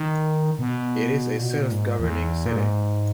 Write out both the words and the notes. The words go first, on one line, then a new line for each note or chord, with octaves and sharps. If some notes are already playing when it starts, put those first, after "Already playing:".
It is a self-governing city.
Already playing: D#3
B2
A#2
B2
A#2
G#2
E2
A#2
G#2